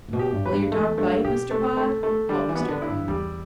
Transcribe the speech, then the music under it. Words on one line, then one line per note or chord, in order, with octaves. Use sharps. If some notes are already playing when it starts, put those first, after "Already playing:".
"Will your dog bite, Mr. Pod?" called Mr. Green.
A2
B2
G4
G2
E2 B4
G2
E2 A3
G2 A3
B2 G4
A3
A3
A3
D3 G3
E3
B3
B2
D3
E4
G2
E2 G3